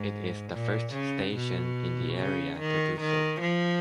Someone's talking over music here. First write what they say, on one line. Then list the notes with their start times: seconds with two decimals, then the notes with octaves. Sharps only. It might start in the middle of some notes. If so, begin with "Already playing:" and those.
It is the first station in the area to do so.
Already playing: G#2
0.53 A#2
0.94 C#3
1.35 B2
2.18 C#3
2.59 D#3
3.01 D#3
3.41 F3